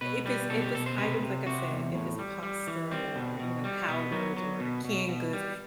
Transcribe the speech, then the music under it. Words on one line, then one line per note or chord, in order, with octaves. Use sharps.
if it's if it's items like, I said, if it's pasta or, you know, powders, or canned goods,
B2 B4
G3 B4
B2 A4
G4
B2 A4
C5
C3 B4
C3
C3 F#4
E2
A2
G3
G3
E3
G3 C4
B2
B2
G3
B2 B3
F#3
F#3
B2
B2
B2
G3